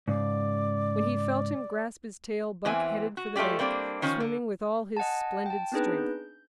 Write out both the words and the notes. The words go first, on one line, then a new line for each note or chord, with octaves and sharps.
When he felt him grasp his tail, Buck headed for the bank, swimming with all his splendid strength.
G#2 C#3 D5
E2 E3 C4 G#5
F#4
G#3 A3 F4 G4 D5
G3 A#3 C4 D4 D5
D#3 F3 C#4
D3
D#5 F#5 G#5 A5
G5 A5
B3 C4 D4 D#4 G#4 B4
G6